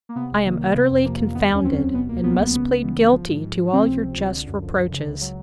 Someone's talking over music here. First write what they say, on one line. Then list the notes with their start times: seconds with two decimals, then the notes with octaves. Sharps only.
'I am utterly confounded, and must plead guilty to all your just reproaches.
0.09 A#3
0.15 C3 B3
0.31 C2
0.46 D#3 A#3
0.60 F#3
0.75 C3 B3
0.91 F2
1.04 F3 A#3
1.20 F2
1.35 D#3 B3
1.49 D#2
1.55 C#4
1.64 F#3 C4
1.79 D#2
1.93 B2 B3
2.09 C#2 A#3
2.23 F#3 B3
2.38 C#2 B3
2.53 C#3 B3
2.68 C#2
2.83 E3
2.98 C#2
3.13 F3
3.28 G#2
3.43 G#2
3.57 F3
3.73 C3 C4
3.87 C#2
4.02 F3
4.17 C#2
4.31 D3
4.47 F#2
4.62 F3
4.76 F#2
4.91 C#3
5.06 C#2
5.21 F#3